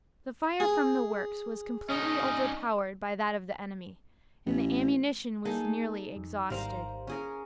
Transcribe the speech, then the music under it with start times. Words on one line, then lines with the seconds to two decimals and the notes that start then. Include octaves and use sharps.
The fire from the works was completely overpowered by that of the enemy, and the ammunition was nearly exhausted.
0.60 G#4
1.90 C#4 D#4 D#5
4.46 A1
5.45 A#3 D#4 G#4 A4
6.16 F2
6.50 G#1 G3 A#4 C5 F5 A#5
7.07 C#4 G#4 A#4